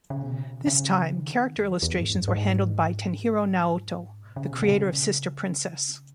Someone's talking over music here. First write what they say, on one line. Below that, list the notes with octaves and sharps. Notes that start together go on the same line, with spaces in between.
This time, character illustrations were handled by Tenhiro Naoto, the creator of "Sister Princess".
C#3
B2
D#3
C#3
D#3
F#2
E2
E2
G#2
F#2
G#2
B2
C#3
B2
B2
C#3